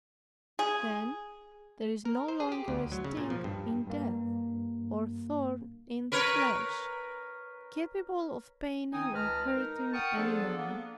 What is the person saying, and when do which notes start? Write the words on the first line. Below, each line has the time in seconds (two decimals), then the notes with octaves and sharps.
Then there is no longer a sting in death, or thorn in the flesh, capable of paining or hurting any more.
0.59 G#4
2.05 A#4
2.28 C5
2.40 G#4
2.52 G4
2.68 D2
2.92 F#3
3.04 C#3
3.17 A#2
3.30 F3
3.44 G2
3.87 G2 A#3
6.12 A#4 B4 C#5
8.93 D#3 C4 D#4 G#5 D#6
9.14 C#2 G#3 B4 A5 A#5 F6
9.55 D#4 A#4
9.93 F#5 G5 A5 C#6 D#6 F6
10.16 F3 B3 D4 G#4 A4 D5
10.56 A#3 B3